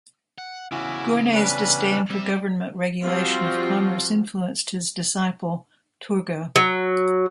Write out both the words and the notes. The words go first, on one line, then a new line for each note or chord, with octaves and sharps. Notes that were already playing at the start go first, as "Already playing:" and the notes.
Gournay's disdain for government regulation of commerce influenced his disciple Turgot.
F#5
E2 C#3 C#4 E4 F#4 D6
G3 C#4 D4 B4
G3 C4 E5
F3 G3 C4 F4 F#4
F#3